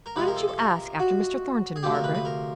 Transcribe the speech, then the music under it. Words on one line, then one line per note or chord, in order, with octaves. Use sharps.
Why don't you ask after Mr. Thornton, Margaret?
A#4
C3 F3 G#3 B4
A#4
A4
A4
A#4
F#4
G#4
D2 C3 F3 G4
A#4
B4
B4
A#4